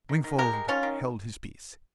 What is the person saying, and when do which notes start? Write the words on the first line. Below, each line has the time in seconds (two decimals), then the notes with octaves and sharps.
Wingfold held his peace.
0.09 D#3
0.24 D#3
0.39 G#3 G4 A#4
0.53 G#3
0.68 D#3 C#4 F4
0.83 D#3